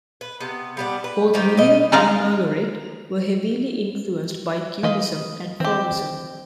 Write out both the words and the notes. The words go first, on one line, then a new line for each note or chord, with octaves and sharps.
Both William and Marguerite were heavily influenced by cubism and fauvism.
B4
C3 B3
G3 B3 D4
B4
D#3 C4 D#4 G4
B2 D#4 D#5
G#3 D#4 G#4 D5 F5 A#5
E3 B4 D#5 F5
E3 C4 G4